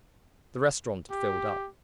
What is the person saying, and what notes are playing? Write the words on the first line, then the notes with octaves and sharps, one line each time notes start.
The restaurant had filled up.
G4